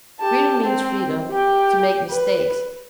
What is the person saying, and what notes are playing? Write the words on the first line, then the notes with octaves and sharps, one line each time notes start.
Freedom means freedom to make mistakes.
G4 A5
C4
G4 G5
B4